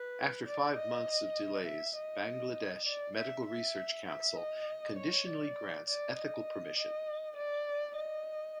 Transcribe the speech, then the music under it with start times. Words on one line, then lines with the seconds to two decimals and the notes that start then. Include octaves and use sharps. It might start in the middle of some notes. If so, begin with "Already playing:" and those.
After five months of delays Bangladesh Medical Research Council conditionally grants ethical permission.
Already playing: B4
0.46 D5
0.75 D#5
1.65 E5
1.96 D#5
2.85 D5
3.16 E5
3.45 E5
4.06 E5
4.36 D#5
4.97 C#5
5.26 D5
5.86 D5
6.16 D#5
6.77 D#5
7.37 D5
7.96 D#5